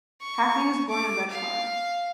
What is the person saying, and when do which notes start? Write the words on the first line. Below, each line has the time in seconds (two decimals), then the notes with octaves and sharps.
Hackney was born in Redcar.
0.21 C#6
0.89 D6
1.30 F5